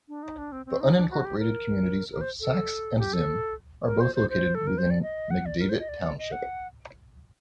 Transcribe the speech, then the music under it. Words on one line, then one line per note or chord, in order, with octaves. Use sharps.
The unincorporated communities of Sax and Zim are both located within McDavitt Township.
D4
D#4
D4
C4
C4
D#4
D4
F#4
G4
A#4
A#4
C5
A4
G4
A4
A#4
C5
C5
C5
A4
A#4
C5
D5
D#5
F#5
D5
A#4
C5
D#5
D5
D#5
F#5